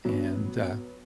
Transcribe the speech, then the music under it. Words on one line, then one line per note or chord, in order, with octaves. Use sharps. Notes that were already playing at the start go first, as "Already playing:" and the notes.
and, uh,
F#3 B3